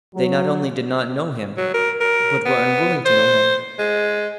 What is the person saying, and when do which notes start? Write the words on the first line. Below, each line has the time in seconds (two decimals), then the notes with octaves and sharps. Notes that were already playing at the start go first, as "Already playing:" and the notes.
They not only did not know him, but were unwilling to know him.
0.15 F#3
1.57 F#3
1.74 A#4
2.01 A#4
2.46 B3
3.05 C5
3.79 G#3